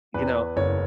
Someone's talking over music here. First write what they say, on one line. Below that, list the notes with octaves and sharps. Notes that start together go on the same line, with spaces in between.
you know
E2 B4
F#1 C#5